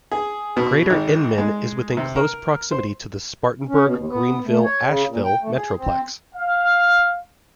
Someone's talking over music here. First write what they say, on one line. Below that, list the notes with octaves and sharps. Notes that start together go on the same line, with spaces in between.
Greater Inman is within close proximity to the Spartanburg-Greenville-Asheville metroplex.
G#4
B2
G#1
G#3
C3
A#4
C5
C#4
B2
D#2
B3
A3
C#5
C#3
A#2
G5
A3
G#4
C4
F5